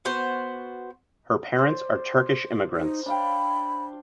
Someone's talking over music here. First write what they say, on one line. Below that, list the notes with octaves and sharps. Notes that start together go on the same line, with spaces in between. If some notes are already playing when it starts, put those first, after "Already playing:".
Her parents are Turkish immigrants.
B3 F#4 C5
C5 D5
D#4
D4 F5 G5 B5